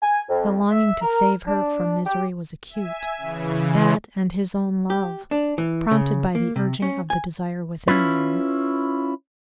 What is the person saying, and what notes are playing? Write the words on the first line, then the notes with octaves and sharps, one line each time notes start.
The longing to save her from misery was acute, that, and his own love, prompted by the urging of the desire within him.
G#5
F2
E5
A#4
D4
G4
E5 G#5
C#3 E3
G4
D4
E3
C#3
A#3
C3
C#4
G#5
C#4 E4 F4 B4